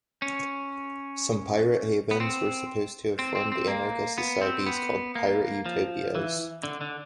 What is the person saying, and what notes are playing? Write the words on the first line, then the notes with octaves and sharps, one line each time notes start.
Some pirate havens were supposed to have formed anarchist societies called pirate utopias.
C#4
B3
C4
C4
C4
C4
A#3
B3
C4
B3
A#3
F3
E3
D3
D3